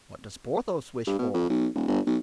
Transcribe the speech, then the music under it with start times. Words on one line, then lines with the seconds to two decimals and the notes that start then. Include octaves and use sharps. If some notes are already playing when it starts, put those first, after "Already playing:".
"What does Porthos wish for?"
1.07 G2
1.19 B2
1.34 F2
1.50 B1
1.75 D#1
1.88 G1
2.07 B1